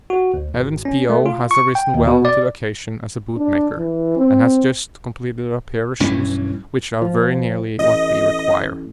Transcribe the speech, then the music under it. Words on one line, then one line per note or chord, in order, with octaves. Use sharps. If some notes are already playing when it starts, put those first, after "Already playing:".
Evans, P.O., has arisen well to the occasion as a boot maker, and has just completed a pair of shoes which are very nearly what we require.
F#4
D2
G#1
C#4
A3
F4
C#6
G5
D#2
B2
D5
D4
E3
C4
B1 G2 E3 C#4
F3
A1 D#5